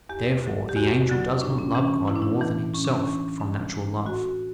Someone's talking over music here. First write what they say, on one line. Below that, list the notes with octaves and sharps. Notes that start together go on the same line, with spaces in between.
Therefore the angel does not love God more than himself from natural love.
E2 G4
D3 F#3
G4
E2 F#4
D3 F#3
A2 D4
C#4
E3 C#4
A2 E4
D4
E4
E3
A2 C#4
D4
C#4
E3
A2 D4
E3
A2 F#4